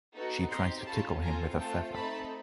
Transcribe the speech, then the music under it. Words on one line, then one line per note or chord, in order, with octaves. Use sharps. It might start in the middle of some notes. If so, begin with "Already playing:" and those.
She tries to tickle him with a feather.
B3 D#4 F#4 A4
C4 D#4 G4 A#5 C6
C#4 F4 A4 A5 B5
C4 F4 A4 G#5 A#5
A3 C4 F4 A4 G5 A5
A3 C4 D#4 A5 B5